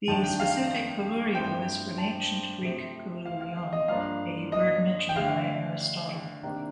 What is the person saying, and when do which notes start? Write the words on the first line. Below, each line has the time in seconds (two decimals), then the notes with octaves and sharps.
The specific "collurio" is from Ancient Greek "kollurion", a bird mentioned by Aristotle.
0.08 F2 D#3 A3 D4 A5
0.23 G5
0.40 F5
1.34 G2 F3 A3 C4 G5
1.98 A5
2.62 C3 F3 A3 C4
3.25 F5
3.41 F5
3.57 F5
3.73 D#5
3.88 G2 F3 A#3 D4 F5
4.52 D#5
5.09 G5
5.16 D3 A3 D4 F5
6.43 C3 D#3 A#3 D4